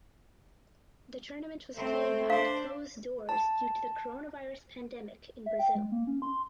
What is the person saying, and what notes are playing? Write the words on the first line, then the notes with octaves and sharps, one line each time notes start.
The tournament was played behind closed doors due to the coronavirus pandemic in Brazil.
A3 C4 C5
D4 C5 F5
A5
E5
G5
G#3
A#3
C#4
C6